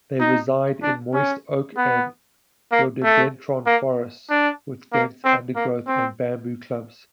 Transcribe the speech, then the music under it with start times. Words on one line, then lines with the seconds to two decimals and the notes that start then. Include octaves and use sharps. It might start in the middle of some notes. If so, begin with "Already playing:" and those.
They reside in moist oak and rhododendron forests with dense undergrowth and bamboo clumps.
0.20 D#4
0.83 D4
1.14 C#4
1.77 B3
2.72 A#3
3.03 A3
3.66 A#3
4.30 D4
4.93 A#3
5.24 C4
5.56 A#3
5.87 C4